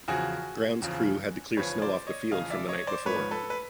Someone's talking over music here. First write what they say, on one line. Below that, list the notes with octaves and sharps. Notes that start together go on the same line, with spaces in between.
Grounds crew had to clear snow off the field from the night before.
E2 C#3 F3 F#4 G#4
E2 C#3 F3
E2 C#3 F3 B4 C#5
C5 D5
C#5 D#5
E2 C#3 F3 D#5 F5
D5 E5
C#5 D#5
C5 D5
G#2 F3 B4 C#5
A4 B4
B4